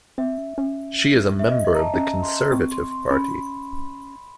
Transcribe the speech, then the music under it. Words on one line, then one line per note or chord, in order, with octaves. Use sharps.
She is a member of the Conservative Party.
C4 E5
C#4
C#4
E5
D#5
D#5
A#5
A5
C#4 A#5
C6
C4 C#6
C6
C6
C#4 B5